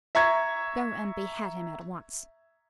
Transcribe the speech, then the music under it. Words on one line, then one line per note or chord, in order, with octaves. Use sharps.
Go and behead him at once.
E5 A#5 C#6 G#6